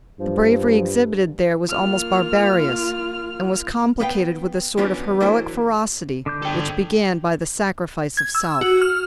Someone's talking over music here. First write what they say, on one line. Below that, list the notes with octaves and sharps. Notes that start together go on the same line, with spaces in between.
The bravery exhibited there was almost barbarous and was complicated with a sort of heroic ferocity which began by the sacrifice of self.
G2 F3
A#3 F4 F6
B3 B4 F5 G5
E3 B3 C#4 D4 F4 F#4
E3 F#3 A#3 D4 E4 C5
D3 D6 G6
A4 G5
G#6
E6
F#4
F6